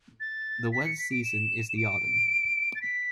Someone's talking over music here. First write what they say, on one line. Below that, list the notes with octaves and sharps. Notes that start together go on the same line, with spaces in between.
The wettest season is the autumn.
A6
B6
C#7
B6
D7
E7
E7
D7
A6
B6